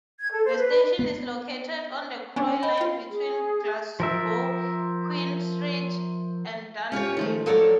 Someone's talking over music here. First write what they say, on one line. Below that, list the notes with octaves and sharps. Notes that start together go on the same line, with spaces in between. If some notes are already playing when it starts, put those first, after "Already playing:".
The station is located on the Croy Line between Glasgow Queen Street and Dunblane.
G#6
A4
C5
B4
B3
B3 C#4 D4 G#5
D#5 G5 B5
F4 G5
G#4
F3 A#4 E5
C#4 F4 G4 C#5
D#3 F3 A3
F3 F#3 A4 A#4 C#5 D5